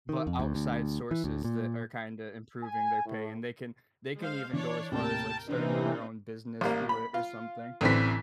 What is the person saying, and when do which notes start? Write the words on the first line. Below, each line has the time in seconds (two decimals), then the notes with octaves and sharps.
But outside sources that are kinda improving their pay, and they can they can even go as far as, like, starting their own business through it or something.
0.09 D#3
0.27 F2
0.39 D2
0.55 D2
1.11 E3
1.24 D2
1.44 A#2
2.63 G#5
3.06 A2
4.18 G#3 C5 F5
4.53 E3 D4 C#5 D5
4.91 D#2 A2 C3 A#4 G5 A5
5.48 C3 E3 A#3 C4 D4 D#4 B4
6.61 A1 G3 A#3
6.89 B5
7.14 F4
7.81 A1 D3 E3 C4 B6